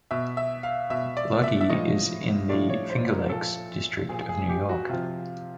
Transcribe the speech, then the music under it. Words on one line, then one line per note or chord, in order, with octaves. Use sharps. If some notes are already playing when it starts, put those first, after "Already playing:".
Lodi is in the Finger Lakes District of New York.
B2 E5
E5
F5
B2 E5
D5
E5
E5
A2 F3 D#5
A2 F3 D5
C#5
C5
A#4
A#2 F3 A4
A#2 F3 G#4
G#4
G4
F#4
C3 F3 F4